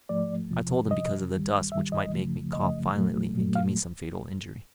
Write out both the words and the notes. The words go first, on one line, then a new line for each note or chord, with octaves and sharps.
I told him because of the dust which might make me cough violently and give me some fatal injury.
G#2 F3 A3 D5
E2 C3 F3
E2 C3 F3 D#5
G2 D#3 G3
G2 D#3 G3 E5
D#5
F#2 C#3 F3 A3
F#2 C#3 F3 A3 D#5
A#2 F#3 A3
A#2 F#3 A3
F5